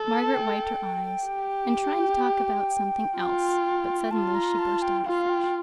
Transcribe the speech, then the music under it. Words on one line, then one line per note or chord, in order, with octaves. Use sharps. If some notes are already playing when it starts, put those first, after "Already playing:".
Margaret wiped her eyes, and tried to talk about something else, but suddenly she burst out afresh.
Already playing: A4
A5
G5
G4
F4
F4 A5
A#5
A5
G5
F4 F5
G5